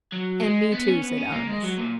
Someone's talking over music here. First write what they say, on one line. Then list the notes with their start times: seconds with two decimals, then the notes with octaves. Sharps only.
"And me, too!" said Aramis.
0.12 F#3
0.42 G#3
0.72 B3
0.87 C#4
1.02 B3
1.18 C#4
1.32 A#3
1.47 G#3
1.62 F#3
1.78 A#2